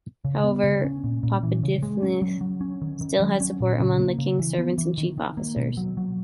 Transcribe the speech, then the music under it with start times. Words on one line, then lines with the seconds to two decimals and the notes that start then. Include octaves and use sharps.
However, Papahdilmah still had support among the king's servants and chief officers.
0.25 C#3
0.44 B3
0.64 C#3
0.84 C#4
1.04 A#2
1.23 A#2
1.43 E3
1.63 C#3
1.83 G#3
2.03 C#4
2.22 F#3
2.41 F#3
2.61 C#4
2.82 D#3
3.01 D#3
3.20 F#3
3.40 C#4
3.60 A#2
3.80 C#3
4.00 A#3
4.18 C#3
4.39 E3
4.58 B3
4.78 E3
4.98 D#3
5.18 D#3
5.37 A#3
5.56 B2
5.77 F#3
5.97 F#3